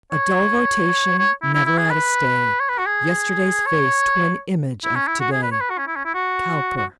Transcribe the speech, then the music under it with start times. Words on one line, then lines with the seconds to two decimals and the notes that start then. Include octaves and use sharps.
'A dull rotation, never at a stay, Yesterday's face twin image of to-day.' COWPER.
0.12 C#5
1.19 C#5
1.42 E4
1.54 E4
1.66 E4
1.78 G#4
1.90 B4
2.60 C#5
2.69 B4
2.78 F#4
2.86 G#4
3.66 C#5
4.84 E4
4.96 C#4
5.08 E4
5.20 F#4
5.32 G#4
5.43 B4
5.52 C#5
5.61 B4
5.70 F#4
5.78 C#4
5.88 E4
5.96 C#4
6.05 E4
6.14 F#4
6.77 F#4